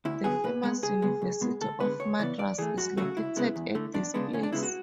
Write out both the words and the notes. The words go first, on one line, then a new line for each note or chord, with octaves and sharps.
The famous University of Madras is located at this place.
D2 E4
D3 F#3 B3 G#4
B2 B4
G#3 B3
C#2 G#4
C#3 G#3 B3
C#2
B2 G#3 B3
D2 A4
D3 G#3 B3 B4
D2 C#5
C#3 E3 B3 D5
G#2 D5
E3 A3 G#4
F#2 F#4
C#3 F#3 A3 F#4
C#2 E4
C#3 G#3 B3
E2
D3 A3
E2 D4
C#3 G#3 B3 D4
D2 C#4
D4
C#3 G#3 B3 E4
F#4